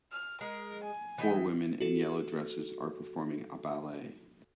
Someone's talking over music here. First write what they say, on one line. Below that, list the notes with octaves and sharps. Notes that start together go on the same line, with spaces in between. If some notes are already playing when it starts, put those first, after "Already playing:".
Four women in yellow dresses are performing a ballet.
F6
G#3 A#4
G#5
E3 D#4 G5
F#4 A4